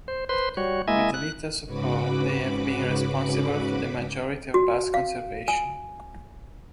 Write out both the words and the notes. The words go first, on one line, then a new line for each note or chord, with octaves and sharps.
With little support they have been responsible for the majority of bus conservation.
C5
B4 C5 C6
G3 F#4 C#5
G#3 A#3 E4 D#5 E5 G#5
F#6
G#2 C#3 F#4 B4 B5 D6
F#4
F5
G#5